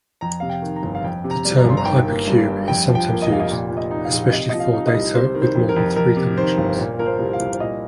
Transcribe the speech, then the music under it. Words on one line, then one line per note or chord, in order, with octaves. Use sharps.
The term hypercube is sometimes used, especially for data with more than three dimensions.
F2 A#5
C3 F5
G5
D#3
A#5
G1
F5
F2 G5
C3
A#5
G3
A#5
G1 C6
A#5
D#3 G5
A#3
G2
G2
F2 G5
F3
G5
A#3
D#5
F1 F5
D#5
A#2
F3
D#5
D#4
F5
A#1
F5
C3 D#5
F3 D#5
F5
D#4
D#5
C2
C3 C5
D#3
C5
F2
A#4
F2
F2 A#4
C3
D#3 C5
G1
A#2 A#4
F3 A#4
C5
C2
F5
C2
C5
A#2 D#5